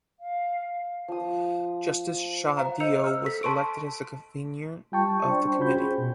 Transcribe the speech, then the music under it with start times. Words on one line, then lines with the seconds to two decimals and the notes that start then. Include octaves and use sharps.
Justice Shahdeo was elected as the convener of the committee.
0.20 F5
1.08 F3 D#6
2.57 C5 F5 A#5
2.80 C5 D#5 E6 G6 C#7 F7
3.04 E6 F6
3.23 A4 B6
3.43 A5 C6 C#6 D7
4.92 G3 F4 G5 A5 C#6
5.22 D4 C5 G5 C#6
5.58 C#4 F4 F#4 C5 B5 G6
5.76 G#4
5.98 B2